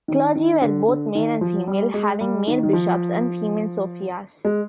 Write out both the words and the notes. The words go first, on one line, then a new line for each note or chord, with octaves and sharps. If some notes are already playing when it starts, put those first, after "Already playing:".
Clergy were both male and female, having male bishops and female sophias.
D#3
D#3
D3
D3
D#3
F3
G3
G#3
G3
D#3
D#3
F3
G#3